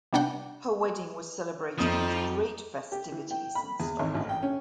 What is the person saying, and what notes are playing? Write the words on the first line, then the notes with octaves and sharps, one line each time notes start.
Her wedding was celebrated with great festivities in Stockholm.
C3 G3 B3 D4 F#5 G5
F2 F3 G3 D#4 D#6
G4
E3
G5
B5
E2
G#1
A1
G5
C#4